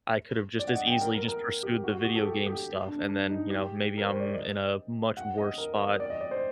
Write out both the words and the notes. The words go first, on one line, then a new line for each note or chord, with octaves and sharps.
I could have just as easily just pursued the video game stuff and then, you know, maybe I'm in a much worse spot,
D5
F#5
D#5
G5
A#4
A#4
A#4
G4
F#4
F#4
G4
A4
G4
G4
D4
D4
D#4
G4
A#4
C5
D5
D#5
F#5
D#5
A#4
D#5
D5
D#5
D5
C5